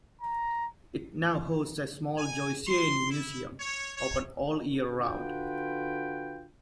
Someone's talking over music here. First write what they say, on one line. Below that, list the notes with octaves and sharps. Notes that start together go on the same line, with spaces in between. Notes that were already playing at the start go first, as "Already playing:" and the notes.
It now hosts a small Joycean museum, open all year round.
A#5
G#5
C6
E4
C#5
C#5
D3 F4 F#4 B4 G5